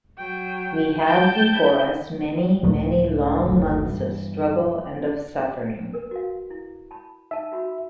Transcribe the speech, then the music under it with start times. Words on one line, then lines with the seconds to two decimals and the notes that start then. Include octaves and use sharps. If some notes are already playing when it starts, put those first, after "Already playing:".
We have before us many, many long months of struggle and of suffering.
0.18 F#3 G5
1.07 G5 A5 G6
1.54 E4
2.63 C#2 A2 A3
3.45 F#1 D2 B2 D3
3.86 G2 B2 E3
5.93 A#4 B4
6.11 F#4 F5
6.50 E4
6.91 A5 B5
7.31 D#4 E5 A5
7.51 F4 F#4 B5